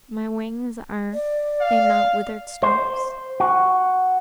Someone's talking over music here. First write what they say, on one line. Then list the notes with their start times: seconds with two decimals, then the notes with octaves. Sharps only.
My wings, are they not withered stumps?
1.14 D5
1.61 F5
2.63 C5
3.40 F#4